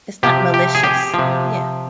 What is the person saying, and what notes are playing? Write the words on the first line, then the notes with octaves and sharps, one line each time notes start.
It's not malicious, yeah.
C3 F3 G4
G4
G#4
G4
C3 F3